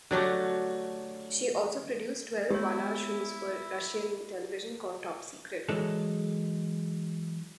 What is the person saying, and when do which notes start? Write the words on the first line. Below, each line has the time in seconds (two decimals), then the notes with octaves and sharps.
She also produced Twelve one-hour shows for Russian television called "Top Secret".
0.11 D3 F#3 A3 G4
2.50 G#3 B3 E4 G4 C#5
5.69 E3 F#3 G#3 D4 A4